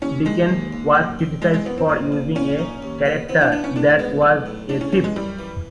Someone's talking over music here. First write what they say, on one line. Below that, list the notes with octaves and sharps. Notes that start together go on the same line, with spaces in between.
Dickens was criticized for using a character that was a thief.
D#2 C#4
D#3 G#3
D#2
D#2
F#2
C4
G#3 C4
G#3
F#2 B3
C4
A#2
A#2
A#2 C#4
D#4
D#2
B3
B3 C4
D4
B3 D4
C#4
A2 D4
G#3 B3
B1
A2
C#3 D4
C#4
E3 C#4
G#3
F#2 G3
E3